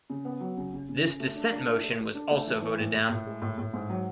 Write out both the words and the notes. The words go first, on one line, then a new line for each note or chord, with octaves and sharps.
This dissent motion was also voted down.
C#3
B3
F#3
C#3
C#3
C#3
C#3
A3
D4
D4
A3
A4
A4
D4
A3
E3
E3
A2
A2
A2
G#3
A2
A2
G#2
F#3